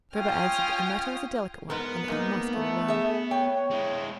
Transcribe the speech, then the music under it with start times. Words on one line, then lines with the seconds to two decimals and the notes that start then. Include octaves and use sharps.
Drebber answered that the matter was a delicate one, and that he must go alone.
0.15 C#4 F4 G5 D#6 F6
1.70 G#2 B3 A#4
2.08 G#2 A#3 D#4
2.54 A3
2.88 G#4 E5
3.31 C#5 G5
3.70 G#3 E4